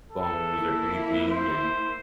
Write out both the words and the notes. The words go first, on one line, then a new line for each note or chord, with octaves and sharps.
bones or anything and
A4
A#3 E4
C5